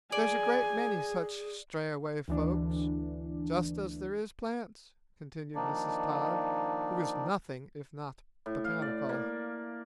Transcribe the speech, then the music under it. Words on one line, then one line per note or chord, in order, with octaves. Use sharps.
"There's a great many such strayaway folks, just as there is plants," continued Mrs. Todd, who was nothing if not botanical.
G#4 D5 G#5
D2 E3 D4
D#3 F3 A#3 D4 D#4 D5
A2
F5
D5
A#3